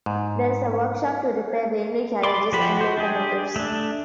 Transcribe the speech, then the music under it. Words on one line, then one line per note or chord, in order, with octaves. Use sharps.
There is a workshop to repair railway carriages and locomotives.
G#2
D5 B5 C6 D6
F3 F#4 G4 B5
F#4 C5
D4 G4 G#4
A3 D4